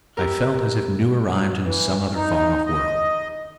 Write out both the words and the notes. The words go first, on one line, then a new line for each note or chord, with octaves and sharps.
I felt as if new-arrived in some other far-off world.
E4 G4 A#4
F#3
E3
D#4
D#5